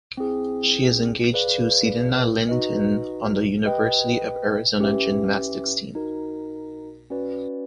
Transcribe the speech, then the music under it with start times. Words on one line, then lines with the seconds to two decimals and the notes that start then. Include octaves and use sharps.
She is engaged to Sirena Linton on the University of Arizona Gymnastics Team.
0.17 C4 E4 G#4
1.33 G#4 B4 D5 F5
2.49 D#4 F#4 B4 D#5
3.65 G4 B4 D#5 G5
4.80 C#4 E4 G4 B4 E5
5.95 D#4 F#4 A#4
7.10 C#4 F#4 B4 D5